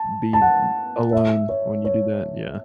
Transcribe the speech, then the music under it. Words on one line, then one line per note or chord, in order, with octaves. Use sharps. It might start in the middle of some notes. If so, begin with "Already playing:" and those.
be, um, alone when you do that. Yeah.
Already playing: A5
A5
F#5
E5
C#5
C#5